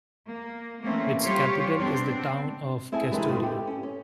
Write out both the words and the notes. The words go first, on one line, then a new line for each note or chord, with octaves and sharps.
Its capital is the town of Kastoria.
A#3
E3 A3 A#3 C4 C#4
G3 F4 G4 C5 C#5
B3 C4 D4
C4 E4 G#4 C5 G#5 A5
E3 G3 G#3 D4 E4 A#4
B2 D3 G3 G#3 C4 F4
G4 A4
C#4
C#4